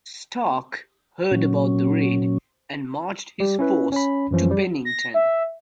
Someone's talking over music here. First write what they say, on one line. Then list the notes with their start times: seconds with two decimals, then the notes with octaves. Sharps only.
Stark heard about the raid and marched his force to Bennington.
1.31 A#2 F#3 C#4
3.40 G3 G4
3.59 C#4 E4 B4
3.92 C#4 C#5 B5
4.31 F#2 E3 F3 C#4
4.51 G3
4.85 A#6
5.14 E5